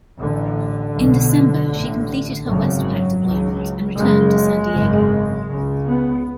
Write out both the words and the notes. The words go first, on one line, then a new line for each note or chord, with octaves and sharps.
In December, she completed her WestPac deployment and returned to San Diego.
A1 A2 D3
B1 B2
A1 A2
G#1 F#2 C#3 F#3
C#2 C#3
F#1 F#2 C#3 G#3
G#1 F#2 C#3
C#2 C#3
B3